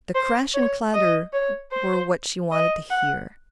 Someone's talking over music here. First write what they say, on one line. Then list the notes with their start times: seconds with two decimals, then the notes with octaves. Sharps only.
The crash and clatter were what she wanted to hear.
0.15 C5
0.54 C#5
0.94 D#5
1.33 C#5
1.72 C5
2.51 D#5
2.91 F#5